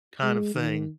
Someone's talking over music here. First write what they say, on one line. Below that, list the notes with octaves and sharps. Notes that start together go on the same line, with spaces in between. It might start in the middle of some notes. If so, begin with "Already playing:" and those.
kind of thing,
G#3
D#3